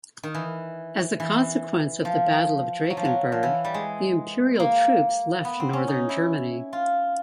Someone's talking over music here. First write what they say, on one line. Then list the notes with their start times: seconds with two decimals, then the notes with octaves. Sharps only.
As a consequence of the Battle of Drakenburg, the Imperial troops left northern Germany.
0.23 D#3
0.34 E3
1.20 E3
2.05 F3
2.90 F#3
2.97 F3
3.05 F#3
3.32 F3
3.43 E3
3.65 G3
3.74 G#3
4.60 A#3
5.45 B3
5.60 C4
5.73 C#4
5.88 D#4
6.09 E4
6.73 F4